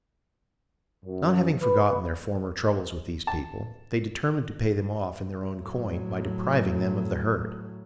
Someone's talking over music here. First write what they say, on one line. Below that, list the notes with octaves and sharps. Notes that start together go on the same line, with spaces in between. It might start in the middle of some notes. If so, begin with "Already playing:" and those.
Not having forgotten their former troubles with these people, they determined to pay them off in their own coin by depriving them of the herd.
F#2
B4
A5
A2 F#3